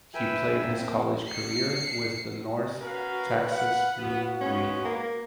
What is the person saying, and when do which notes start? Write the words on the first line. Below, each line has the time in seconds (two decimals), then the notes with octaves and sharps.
He played his college career with the North Texas Mean Green.
0.14 B4 E5 G5 G#5
0.63 A#3 C4
1.28 C7 C#7
2.81 C#4 F#4 A#4 B4 F5
3.52 F5 F#5
3.98 B3 F#4
4.41 G#3 B3 C#4
4.85 A#3